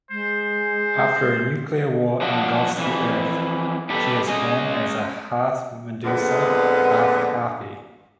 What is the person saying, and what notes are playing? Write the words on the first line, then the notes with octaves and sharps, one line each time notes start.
After a nuclear war engulfs the earth, she is born as a half-medusa half-harpy.
G#3 C5
F3 F#3 D4 F#4
F2 E3
B2 G3 G4 A4 B4
G#3 C#4 D#5
F2 A#2 D3 G#3 B3 D4